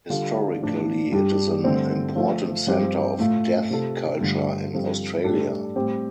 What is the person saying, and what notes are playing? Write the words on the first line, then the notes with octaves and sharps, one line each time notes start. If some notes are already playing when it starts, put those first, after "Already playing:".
Historically it is an important centre of deaf culture in Australia.
D3 G3 D4 F4 A4
A2 F3 D4
G2 G3 D4 G4
G2 D3 A3 C4
F3 A3 F4
G2 F3 C4 G4
A2 A3 F4
C3 A3 F4 A4
G2 D3 A3 F4
G2 F3 C4 A4
A2 G3 D4 A4
A2 G3 C4 G4